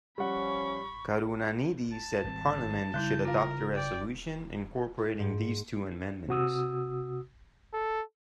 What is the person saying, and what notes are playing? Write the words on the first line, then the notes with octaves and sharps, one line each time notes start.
Karunanidhi said Parliament should adopt the resolution incorporating these two amendments.
F3 G3 C#4 F#5 B5 C#6
A5
G#1 G3 C4
C#3 G3 D#4 E4 G6
F4 A#4 F5
D5 G5
G#2
C3 F#4 D#6 E6
A4